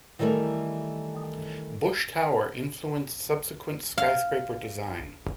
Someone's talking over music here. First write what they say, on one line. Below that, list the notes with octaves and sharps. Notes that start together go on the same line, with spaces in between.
Bush Tower influenced subsequent skyscraper design.
D#3 E3 G3 A3 A#4
F5